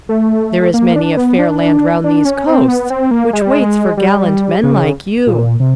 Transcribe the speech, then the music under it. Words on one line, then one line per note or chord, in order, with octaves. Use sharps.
There is many a fair land round these coasts, which waits for gallant men like you.
A3
A#3
D4
B3
D4
D4
C#4
C4
B3
C4
A#3
G#3
G3
G#3
G3
C#3
A#2
C3